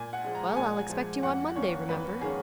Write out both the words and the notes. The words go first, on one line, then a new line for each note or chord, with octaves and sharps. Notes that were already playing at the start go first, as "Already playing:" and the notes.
"Well, I'll expect you on Monday, remember."
Already playing: A#2 G#5
F#5
F3 G#3
A#5
A#2 G#5
F3 G#3
F2 F#5
D#3 A#3 C#4 C#5
F2 B4
D#3 A#3 C#4 G#4